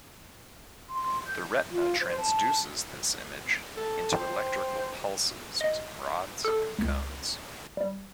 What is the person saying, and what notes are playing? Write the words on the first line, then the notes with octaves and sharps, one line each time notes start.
The retina transduces this image into electrical pulses using rods and cones.
C6
G6
F4
C5
A5
A4
C5 G5
D#5
A4
C#2
G3